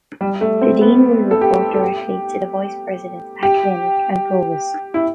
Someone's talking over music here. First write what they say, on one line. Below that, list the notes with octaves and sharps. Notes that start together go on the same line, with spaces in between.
The dean will report directly to the vice president, academic and provost.
G3
A3
C4
B3
A4
G4
A4
G4
G4
E4